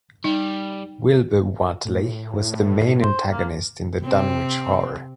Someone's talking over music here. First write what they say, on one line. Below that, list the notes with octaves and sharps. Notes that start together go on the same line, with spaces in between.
Wilbur Whately was the main antagonist in the Dunwich Horror.
G3 D#4
A2
C5
A#3
C3 C4